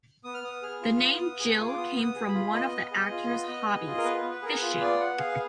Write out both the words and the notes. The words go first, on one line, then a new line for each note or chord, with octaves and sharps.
The name Gil came from one of the actor's hobbies, fishing.
B3 D#6
F6
B3 D#6
G#4 F6
F4
B3 D#6
F6
B3 D#6
G#4
F4
D6
B3 D#6
B3
D#6
G#4
B5
F4
B3 D#5
B3
G#4
F4
B3
B3
G#4
F4
A#4
B3 B4
B3
B4
G#4 A#4
B4
F4
B3 D5
B3 F#5
G#4 F5